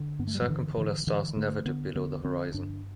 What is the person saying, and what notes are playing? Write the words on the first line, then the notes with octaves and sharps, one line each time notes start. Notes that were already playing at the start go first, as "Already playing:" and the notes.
Circumpolar stars never dip below the horizon.
Already playing: D3
G2 B3
A3
G3
F#3
D3 E3
D3 E3
D3 E3
D3 A3
D3 B3
D3 B3
D3 C4
G2 D4